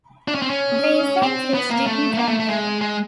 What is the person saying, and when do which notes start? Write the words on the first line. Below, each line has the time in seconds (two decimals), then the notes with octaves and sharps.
The incentives didn't end there.
0.28 D4
0.35 C#4
0.42 C4
0.50 C#4
1.23 C4
1.54 B3
1.70 A#3
1.86 A3
2.14 A3
2.18 A#3
2.28 A3
2.40 A3
2.50 G#3
2.81 G#3